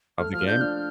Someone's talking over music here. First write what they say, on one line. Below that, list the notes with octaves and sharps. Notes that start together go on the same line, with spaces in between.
of the game?
A3 F6
F3 F6
D4 G6
D4 F6